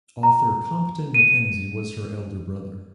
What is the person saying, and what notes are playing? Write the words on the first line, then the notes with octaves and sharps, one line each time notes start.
Author Compton Mackenzie was her elder brother.
A#5
D#7